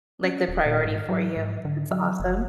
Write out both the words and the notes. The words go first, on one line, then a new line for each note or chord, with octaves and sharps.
Like the priority for you. That's awesome.
C#4
D1
A#2
G#2
F#3
G#2
D3
F#3
F#1